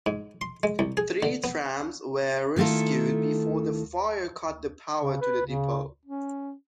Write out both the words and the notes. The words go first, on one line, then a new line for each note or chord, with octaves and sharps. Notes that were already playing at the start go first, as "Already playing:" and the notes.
Three trams were rescued before the fire cut the power to the depot.
G#2
C6
G#3
C2
G#4
D3
B3
D#3 A3 E4 F4 A4
C#3
B4
C#3
C#4